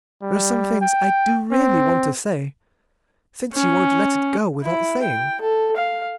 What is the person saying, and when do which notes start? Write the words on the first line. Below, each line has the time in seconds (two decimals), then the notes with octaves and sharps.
There are some things I do really want to say, since you won't let it go without saying.
0.22 G3
0.81 G5
1.52 C4
3.54 C#4
4.63 E4
5.03 G5
5.41 A4
5.77 F5